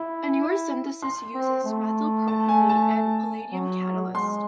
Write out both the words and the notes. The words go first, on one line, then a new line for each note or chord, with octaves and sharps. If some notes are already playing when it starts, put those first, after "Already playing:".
A newer synthesis uses methyl propionate and a palladium catalyst.
Already playing: E4
C6
C4
A3
A5
G#5
A5
F#3
G#3 C6